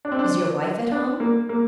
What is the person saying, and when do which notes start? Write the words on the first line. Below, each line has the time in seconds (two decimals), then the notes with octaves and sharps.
"Is your wife at home!"
0.05 D4
0.12 C4
0.19 D4
0.92 D4
1.20 A#3
1.49 A#3